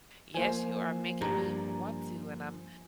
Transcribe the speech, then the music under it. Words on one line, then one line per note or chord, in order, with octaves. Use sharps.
Yes, you are making me want to, and I'm
F3 A#3 C5 G#5
G2 G4 A#5